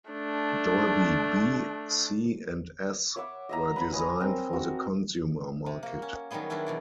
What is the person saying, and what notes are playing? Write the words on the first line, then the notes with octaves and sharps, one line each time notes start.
"Dolby B", "C", and "S" were designed for the consumer market.
A3 D4
C#5 E5 F#5 D6
D#5 E5 A#5
B4 B5
C#5 D#5 G#5 A#5
C4 A#4
F#4
C3
A#3 F#4
C#4
D#3 F#3 G3 B3 G#4
D#3 F#3 C#4 D4 E4
E2 B2 D5